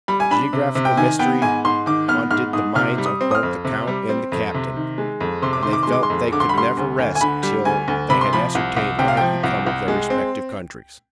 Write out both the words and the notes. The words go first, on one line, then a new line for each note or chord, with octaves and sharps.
The geographical mystery haunted the minds of both the count and the captain, and they felt they could never rest till they had ascertained what had become of their respective countries.
G3 B5
G#5
D4 B5
C3
C3
G5
D#3 G#5
B3 G5
G#2 G#5
G#2 C6
D#3 D6
B3 F6
G#2 F6
G#2 D#6
C3 F6
G3
D#6
C4
D#6
F6
F2
C3
G3
C4
F2
C3
D#3
G#3
F2
C3 C6
D6
D#3 C6
D6
G#3 C6
D6
C6
F2
D3 D6
C6
B5
G3 C6
D2
D2
G#5
D3 B5
G3
D2 G#5
D2
C3 B5
C6
F3 B5
C2
C2
C3 G5
F5
F3 G5
C2
C2
G#3
C4